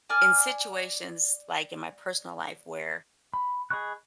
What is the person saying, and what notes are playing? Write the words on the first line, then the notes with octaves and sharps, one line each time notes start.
in situations like in my personal life where
D5 G#5 F6
B5
G#4 D#5 B5 C#6 F#6